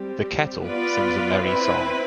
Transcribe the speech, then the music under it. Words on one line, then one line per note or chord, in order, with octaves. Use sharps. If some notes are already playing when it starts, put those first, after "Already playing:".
The kettle sings a merry song.
Already playing: G3 C4 G4
B3 F4 B4 D5
C4 E4 B4